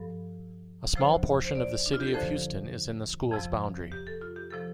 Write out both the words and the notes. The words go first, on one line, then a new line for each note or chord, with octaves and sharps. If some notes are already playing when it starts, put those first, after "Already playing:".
A small portion of the City of Houston is in the school's boundary.
Already playing: G2 F3 A4
D2 C3 F3 C5
C5
D5
D4
F4
G4
A4
F2 D3 F3 C5
F2 C3 F3
G4
A4
F4
G4
C3 F3 A4